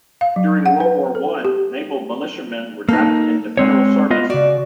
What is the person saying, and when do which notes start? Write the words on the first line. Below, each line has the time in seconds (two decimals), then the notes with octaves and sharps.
During World War One, naval militiamen were drafted into federal service.
0.21 F5
0.36 F#3
0.66 F#5
0.80 B4
1.15 A4
1.45 G4
2.89 A#3 D#4 A4
3.57 G#3 C4 C#5
4.10 B3 F4 D#5
4.30 C#3 F#4 D5